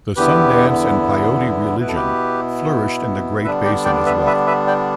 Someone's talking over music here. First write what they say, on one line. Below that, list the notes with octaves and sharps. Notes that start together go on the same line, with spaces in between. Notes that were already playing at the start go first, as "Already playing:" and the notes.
The Sun Dance and Peyote religion flourished in the Great Basin, as well.
E2 D3 B3 E4 G4 B4
B2 B3 E4 B4
A4
G4 B4
D3 G3 B3 D4 B4 E5
D5 G5
D5 G5
B4 E5
B4 E5
B4 E5
D5 G5